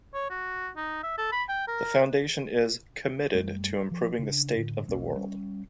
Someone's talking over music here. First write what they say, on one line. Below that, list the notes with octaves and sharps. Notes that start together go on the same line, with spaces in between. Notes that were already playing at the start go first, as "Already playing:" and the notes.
The foundation is "committed to improving the State of the World".
C#5
F#4
D#4
E5
A4
B5
G5
A#4
F#2 G3 A3
F3
C#3 D4
A2 D3
E1 B1 A#3 C#4
G3 C#4